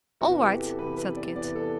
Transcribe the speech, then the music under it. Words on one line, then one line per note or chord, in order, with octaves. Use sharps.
"All right," said Kit.
E2 C3 E3 F#4
G4
A4
E2 C3 E3 B4
B4
D5
E2 C3 E3 D5
A4